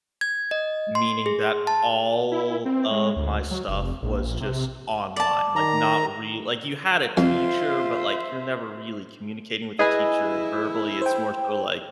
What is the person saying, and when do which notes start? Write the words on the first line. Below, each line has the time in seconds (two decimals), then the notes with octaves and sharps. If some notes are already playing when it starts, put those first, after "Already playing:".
meaning that all of my stuff was just online. Like, not re like, you had a teacher, but, like, you're never really communicating with the teacher verbally, it's more so, like,
0.21 G#6
0.51 D#5
0.95 C6
1.26 G#4
1.67 A5
2.31 E4
2.65 C4
2.91 G#3
3.16 D2
3.51 F#3
3.68 F1
4.02 A#1
4.41 C3
5.16 D5 A5
5.56 D#3 A#5
7.17 F2 F4 C5 E5
9.79 E4 G#4 B4 D#5 G#5
11.02 C5 G5